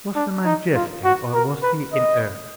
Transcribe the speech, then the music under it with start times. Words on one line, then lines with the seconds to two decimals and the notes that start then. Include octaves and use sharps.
Was the man jesting, or was he in earnest?
0.15 D4
0.45 D#4
0.75 F4
1.04 F#4
1.34 A#4
1.63 B4
1.93 D#5